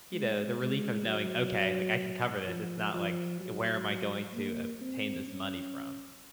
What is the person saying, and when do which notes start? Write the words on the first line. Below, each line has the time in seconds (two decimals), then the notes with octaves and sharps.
you know, the relief of knowing, "Okay, like I can cover this," it's not like, "Where am I going to obtain this money from?"
0.13 G#3
0.59 G#3
1.06 F#3
2.47 F3
2.94 F3
3.40 F#3
4.33 A#3
4.81 C4
5.27 C#4